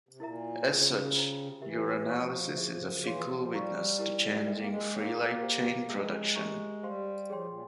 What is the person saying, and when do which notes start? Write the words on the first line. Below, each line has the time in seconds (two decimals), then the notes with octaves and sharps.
As such, urinalysis is a fickle witness to changing free light chain production.
0.09 C3
0.20 A#2 E4 A#4 E5 A#5
0.67 C#3 F4 G#4 E5
1.15 F4 C5 G5 A#5
1.43 C3
1.52 C#3
1.62 E3 G4 A#4 E5
2.09 F3 C#5 F5 A#5 C#6
2.56 G#4 C5 E5
2.95 C#3
3.04 E3 G#4 C#5 F5 C6
3.20 F3
3.35 F3
3.51 G3 C5 F5 A#5 C#6
3.99 E4 G4 A#4
4.46 G#3 A#4 E5 G5
4.57 A#3
4.68 G#3
4.93 A#3 G#4 C#5 G5
5.41 G4 C5 G5
5.88 G#3 G#4 E5 G5 A#5
6.36 G4 A#4 E5 A#5 C#6
6.83 G3 G4 C5 F5 C6
7.30 F3 G#4 C#5 G5 C6
7.46 A#2